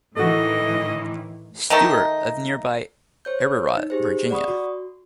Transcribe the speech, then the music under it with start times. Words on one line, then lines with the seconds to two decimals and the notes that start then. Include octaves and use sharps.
Stuart, of nearby Ararat, Virginia.
0.16 A2 D#3 E3 A3 F#4 D#5
1.70 D#3 A3 D#4
3.25 C5 C#5 G6
3.77 D#4
3.90 G4 G#4 C5
4.30 D5 F#5 B5 C#6 D#6
4.48 F#4